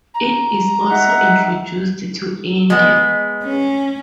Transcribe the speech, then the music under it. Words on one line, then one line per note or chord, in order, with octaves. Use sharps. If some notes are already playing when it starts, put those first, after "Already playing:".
It is also introduced to India.
A#5
D#4 E5 F#5
G#3 B3
C#4